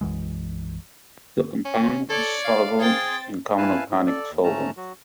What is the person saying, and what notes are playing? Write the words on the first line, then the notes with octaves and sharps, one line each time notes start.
The compound is soluble in common organic solvents.
B1 F#2 E3 G#3
C#4
A4 C#5 D5
E4 F5
C4 G#4 C5 G5 A6
E4 B4 F5 G#5 A5
G#2
A4 D5
D#2
G#2 A3 C#4 A5 A#5
F#3 F#4